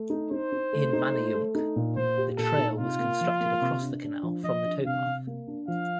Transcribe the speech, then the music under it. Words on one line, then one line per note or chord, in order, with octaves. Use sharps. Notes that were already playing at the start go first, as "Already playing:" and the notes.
In Manayunk, the Trail was constructed across the canal from the towpath.
Already playing: A3
D#4
D#4 C5
D#4
A3
D#4
A3
A3
D#4
A#2
A#2 C5
G4
A#2 A4
D#4
C3 F4
A#3
F3
A#3
C3
D4
D4
F3
F3 D#5
D4
C3 F5
C3
A#3
D4
F3 F5